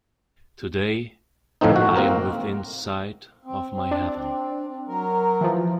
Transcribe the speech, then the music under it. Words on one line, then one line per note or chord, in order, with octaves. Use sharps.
Today, I am within sight of my heaven.
A2 F3 A3 C4 D#4
F#4
A#3 C4 A#4
C4
C4
D4
F#3 A#4
E3 F3